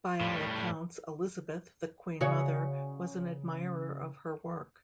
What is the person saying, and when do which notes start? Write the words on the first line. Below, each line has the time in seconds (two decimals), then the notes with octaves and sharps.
By all accounts Elizabeth, The Queen Mother was an admirer of her work.
0.21 A2 G3
2.21 C#3 F#4 C#5